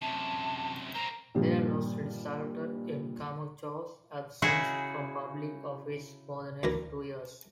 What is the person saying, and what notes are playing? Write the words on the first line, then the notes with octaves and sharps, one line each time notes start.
Their loss resulted in Camacho's absence from public office for the next two years.
F#2 C3 A5
C4 A#4 A#5
G2 A#2 D#3 F3 G3
C#3 D#4 E4 F#4 G#4
D2 E3 A#4